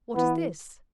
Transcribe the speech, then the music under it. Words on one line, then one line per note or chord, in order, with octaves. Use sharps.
"What is this?"
E3 B3